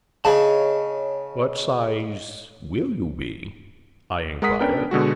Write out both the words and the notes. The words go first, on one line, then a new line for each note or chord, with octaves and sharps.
"What size will you be?" I enquired.
C#3 C#5 D#5 A5
G#3 A#4 F#5 D#6 B6
B3 C#4 D4 A#4 B4 G5
B2 D3 G#3 F#4